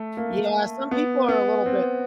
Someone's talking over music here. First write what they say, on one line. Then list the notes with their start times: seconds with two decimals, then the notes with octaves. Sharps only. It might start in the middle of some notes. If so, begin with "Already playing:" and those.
Yeah, some people are a little bit
Already playing: A3
0.17 A#3
0.91 B3
1.28 B3
1.66 C4